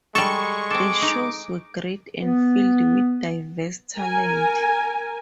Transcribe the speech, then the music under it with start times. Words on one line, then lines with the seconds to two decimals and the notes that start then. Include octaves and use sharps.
The shows were great and filled with diverse talent.
0.15 G3 G#3 A4 C#6
0.71 C4 A4 D6
1.02 D#4
2.23 B3
3.97 A#4 G#5